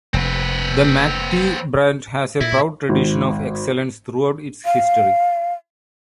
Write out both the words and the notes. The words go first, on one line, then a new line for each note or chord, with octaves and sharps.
The McT Band has a proud tradition of excellence throughout its history.
F1 C4 B4
A#2 E4
G#1
F5